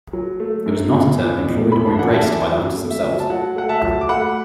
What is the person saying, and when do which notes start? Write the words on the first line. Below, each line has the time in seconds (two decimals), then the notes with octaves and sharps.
It was not a term employed or embraced by the hunters themselves.
0.13 F#3
0.40 A3
0.66 F#2
0.93 B2
1.18 E2
1.45 B2
1.72 E2 B5
1.86 A5
1.98 E2 F#5
2.13 E5 A5
2.24 E2
2.51 F#3
2.77 A3
2.90 E5
3.04 F#3
3.20 A5
3.30 F#3 F#5
3.56 A3 F#5
3.69 E5 A5
3.82 F#3
4.01 D6
4.09 A3 F#5 B5